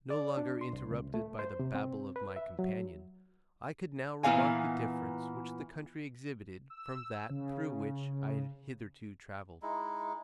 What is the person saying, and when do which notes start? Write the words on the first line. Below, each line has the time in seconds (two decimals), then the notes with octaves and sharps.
No longer interrupted by the babble of my companion, I could now remark the difference which the country exhibited from that through which I had hitherto travelled.
0.10 D5
0.37 D4
0.61 C6
0.73 C2
0.91 C#2
1.14 A3
1.39 C5
1.59 C3
1.75 C4
2.16 B4
2.36 E5
2.59 F#3
4.23 A#2 E3 B3 F5 G#5
6.70 E6
7.30 C#3
9.62 G#3 D#4 E4